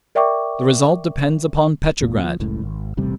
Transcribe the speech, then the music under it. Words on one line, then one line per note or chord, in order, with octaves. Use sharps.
The result depends upon Petrograd.
A#4 D5 E5 G5 C#6 D6
E1 A#2
F3
F#1 C#2 A2
G#1
E1 A1 C3 G3